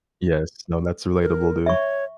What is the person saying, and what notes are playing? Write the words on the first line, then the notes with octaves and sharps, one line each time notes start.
yes, no, that's relatable, dude.
A#4
C#5 E5 C#6